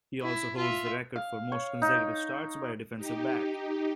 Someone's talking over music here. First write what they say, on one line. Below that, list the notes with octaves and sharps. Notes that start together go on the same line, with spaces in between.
He also holds the record for most consecutive starts by a defensive back.
E4
F4 E5
F5
C#5
D#4
D#4 G4